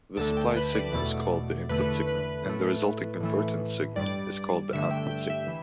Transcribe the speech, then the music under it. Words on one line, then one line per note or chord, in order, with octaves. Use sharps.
The supplied signal is called the “input signal” and the resulting converted signal is called the “output signal”.
D2 D3 A3 A5
G5
B4
D5
E2 B2 A3 D5
E2 D3 A3 B4
B4
A2 A3
A2 E3 A3
G2 G3 D5
G2 D3 A3 E5
G5
G5
E5
E3